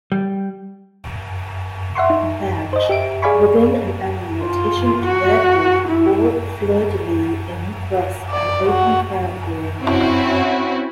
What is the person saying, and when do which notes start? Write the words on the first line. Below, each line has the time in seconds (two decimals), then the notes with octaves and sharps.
Badge: Within an annulet issuant therefrom four fleurs-de-lys in cross an open crown or.
0.12 G3
1.95 E5 F#5 C6 C#6
2.10 D#4
2.73 C5 D#5
2.89 G4 E5 D7
3.22 G#4 D5 F5 G#5 B5 C#6
4.42 F4
5.05 F#4
5.88 E4
8.31 D5
8.69 F#4
9.82 C4 C#4 E4 F#4